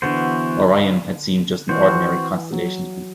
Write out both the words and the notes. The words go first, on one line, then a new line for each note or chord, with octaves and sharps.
Orion had seemed just an ordinary constellation to him.
D3 E3 B3 F#4 C5
E3 C4 F#4 C5
F#3